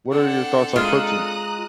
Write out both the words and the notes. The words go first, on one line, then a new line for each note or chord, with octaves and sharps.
What are your thoughts on protein?
C4 D4 A4 F#5
G#3 F4 F5 A#5 D#6 F#6